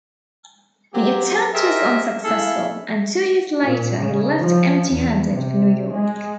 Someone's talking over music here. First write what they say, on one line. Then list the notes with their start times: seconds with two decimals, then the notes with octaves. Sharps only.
The attempt was unsuccessful, and two years later he left empty-handed for New York.
0.94 F#3 A#3 C4 G4
1.54 G4 G#4 A#4 C5 D#5 E5
2.24 E4 G#4 A4 E5 F5
3.62 A#2
3.97 C#3
4.39 F3
4.90 E2
5.30 C3
5.92 G#3